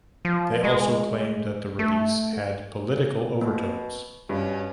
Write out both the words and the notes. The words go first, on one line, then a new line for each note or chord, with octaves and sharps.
They also claimed that the release had political overtones.
F3
G#3
A3
B2 A#3
G2 B2 C#4